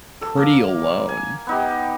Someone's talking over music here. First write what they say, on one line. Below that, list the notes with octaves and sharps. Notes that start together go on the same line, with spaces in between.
pretty alone.
A4
A#3
G#5
B3 D#4 G4